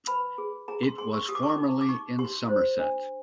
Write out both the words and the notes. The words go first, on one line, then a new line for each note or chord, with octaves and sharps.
It was formerly in Somerset.
B4 B5
G#4
G#4 A#5
C6
G#4 C6
C#6
G4 D#6
D6
C#6
D6
D#4
D6
D#4 C#6
G4 C6
C5
D4